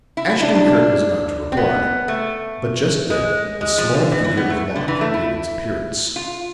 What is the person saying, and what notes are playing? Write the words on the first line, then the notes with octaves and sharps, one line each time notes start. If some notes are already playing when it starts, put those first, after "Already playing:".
Ashton-Kirk was about to reply; but just then the small figure of Locke made its appearance.
E4
E4
D4
D4
C4
B3
A3
G#3
G#3
F3
D3
E3
E3
B3
A3
D3
E3
A3
E4
F4